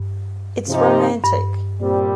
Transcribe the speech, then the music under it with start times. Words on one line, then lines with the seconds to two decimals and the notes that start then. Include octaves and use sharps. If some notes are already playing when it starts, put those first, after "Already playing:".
It’s romantic.
Already playing: G2
0.68 C3 F3 D#4 G4
1.24 G2
1.80 A#2 G3 C4 G4